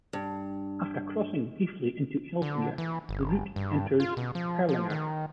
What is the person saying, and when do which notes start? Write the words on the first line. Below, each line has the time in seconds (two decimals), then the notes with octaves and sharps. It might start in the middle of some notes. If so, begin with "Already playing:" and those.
After crossing briefly into Elsmere, the route enters Erlanger.
0.13 G2
2.42 D3
2.78 E3
3.09 G1
3.56 G2
4.00 F4
4.17 B2
4.35 F3
4.69 F3
4.90 D#3